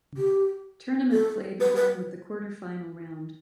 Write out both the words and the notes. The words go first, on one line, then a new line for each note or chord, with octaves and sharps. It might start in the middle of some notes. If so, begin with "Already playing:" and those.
Tournament play began with the quarterfinal round.
G4
A4
B4
B4